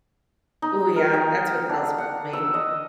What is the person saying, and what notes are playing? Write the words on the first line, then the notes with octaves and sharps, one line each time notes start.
Ooh yeah, that's what tells me.
D#4
A#4
G5
D4
F#5
E6
D#5